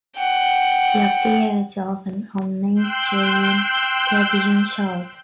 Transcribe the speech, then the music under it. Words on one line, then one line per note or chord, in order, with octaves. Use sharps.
He appears often on mainstream television shows.
F#5 G5
G5 C6 E6 F#6 G6